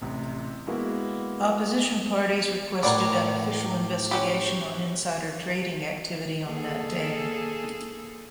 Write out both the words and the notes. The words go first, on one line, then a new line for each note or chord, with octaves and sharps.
Opposition parties requested an official investigation on insider trading activity on that day.
A1 C3
G#3 A#3 B3 E4 F#4
A2 A#4 B4 C#5 D5 F#5 G5 D6
C#4 F#4 G4
A#3 G#4 A4